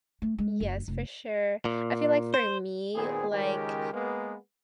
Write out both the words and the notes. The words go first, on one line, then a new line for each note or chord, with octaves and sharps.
Yes, for sure, I feel like for me, like,
A3
G#3
F#1
F1
A#2
C5
A#2 D#3 B3 C4 G#4
C#2 D#3 G#3 C#4 G4 A#4
G#3 A#3 B3